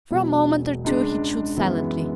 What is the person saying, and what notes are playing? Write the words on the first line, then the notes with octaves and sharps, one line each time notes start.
For a moment or two he chewed silently.
E1 E2 B2 F#3
C#2 C#3 G#3 D4
F#2 E3 G#3 B3